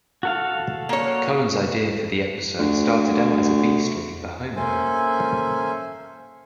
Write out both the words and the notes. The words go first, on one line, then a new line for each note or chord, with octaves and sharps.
Cohen's idea for the episode started out as a B story for Homer.
F#4 A4 F5
A#3 C#5
D2
A#3 C#4 A4 C5 E5 G#5